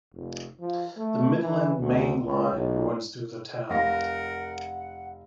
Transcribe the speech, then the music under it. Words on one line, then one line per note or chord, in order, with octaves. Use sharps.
The Midland Main Line runs through the town.
F1
F3
A3
E3
D2
C#2
B1
F1 A#4 F5 F#5 A#6